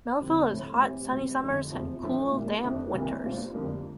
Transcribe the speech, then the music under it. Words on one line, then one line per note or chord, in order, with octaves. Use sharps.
Melville has hot sunny summers, and cool damp winters.
F2 D3 G3 C4
A2 F3 A3 C4
A2 E3 G3 C4 G4
D2 C3 G3 C4
F2 D3 A3
F1 E2 C3 F3
A2 F3 A3 D4
A#2 G3 A#3
F2 C3 F3 A3 D4
C2 C3 E3 A#3 E4
A#2 G3 D4 F4 C5
F2 D3 G3 A#3